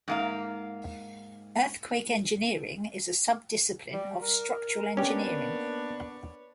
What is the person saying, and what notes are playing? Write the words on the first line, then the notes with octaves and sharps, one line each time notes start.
Earthquake engineering is a sub-discipline of structural engineering.
G#2 A#3 F5
G3
A#4
A#3 B3 C#4 D4 G4 B4 C#5